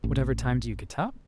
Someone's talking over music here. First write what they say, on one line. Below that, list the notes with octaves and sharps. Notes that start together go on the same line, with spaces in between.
"Whatever time do you get up?"
A1